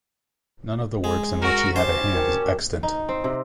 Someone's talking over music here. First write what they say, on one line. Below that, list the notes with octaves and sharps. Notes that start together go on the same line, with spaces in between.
None of the works in which he had a hand is extant.
G#3
F#4 A#4 A#5 C#6
C#4 G4 C5 C#5 A5
F#4 A#4 G5
D#4
C4
C3